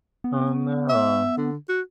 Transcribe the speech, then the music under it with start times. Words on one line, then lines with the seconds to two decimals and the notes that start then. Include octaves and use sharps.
Oh, no.
0.24 B3
0.89 E5
1.37 D3
1.69 F#4